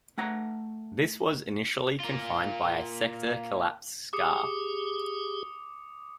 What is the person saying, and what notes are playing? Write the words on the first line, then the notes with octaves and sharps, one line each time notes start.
This was initially confined by a sector-collapse scar.
A3 F#5 A#5
A#3 F4
G4 G#4 D6 D#6 C#7